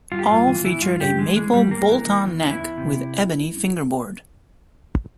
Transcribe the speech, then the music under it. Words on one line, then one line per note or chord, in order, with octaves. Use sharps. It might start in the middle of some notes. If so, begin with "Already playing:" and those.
All featured a maple bolt-on neck with ebony fingerboard.
G2 F4
G4
G2 F4
E3
E3 E4
G2 F4
G2 G4
E3 G#3
E3 G#3
G2 G3
G2 A#3
E3
E3
E2
E3
E4
E2
C3